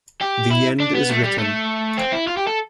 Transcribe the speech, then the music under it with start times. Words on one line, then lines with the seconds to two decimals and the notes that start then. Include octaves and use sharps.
The End Is Written.
0.21 G4
0.51 E4
0.80 D4
0.95 B3
1.10 A3
1.24 G3
1.39 A3
1.98 C4
2.12 E4
2.27 F4
2.37 G4
2.47 A4